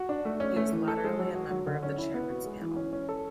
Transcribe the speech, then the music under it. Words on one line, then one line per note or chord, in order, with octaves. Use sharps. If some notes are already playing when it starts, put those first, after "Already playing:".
He was latterly a member of the Chairman's Panel.
Already playing: F#4
D4
A3
C#4
A3
E3
A4
G#3
F#3
F#4
F#3
D3
C#4
E4
B3
F#4
G#3
E3
C#4
C#4
A4